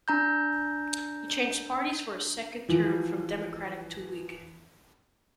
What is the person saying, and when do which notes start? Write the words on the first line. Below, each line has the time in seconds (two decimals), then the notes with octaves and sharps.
He changed parties for his second term from Democratic to Whig.
0.08 D4 A#5 G6
2.69 E3 F3